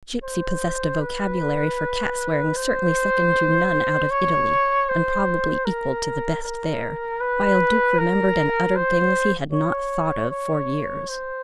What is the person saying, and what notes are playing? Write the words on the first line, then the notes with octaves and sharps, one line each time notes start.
Gipsy possessed a vocabulary for cat-swearing certainly second to none out of Italy, and probably equal to the best there, while Duke remembered and uttered things he had not thought of for years.
C5
B4
C5
C#5
C5
A#4
A#4
B4
A#4
C5
C#5
C#5
C5